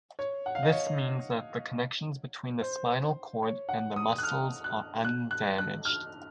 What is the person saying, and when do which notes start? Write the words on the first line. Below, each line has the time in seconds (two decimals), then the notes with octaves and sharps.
This means that the connections between the spinal cord and the muscles are undamaged.
0.19 C#5
0.46 F#5
0.55 F5
0.63 D#5
0.72 C#5
2.61 C5
3.43 C#5
3.69 F#5
3.96 D#6
4.18 F#6
4.23 F6
4.64 F#6
5.04 F#6
5.31 F#6
5.58 F#6
5.85 F6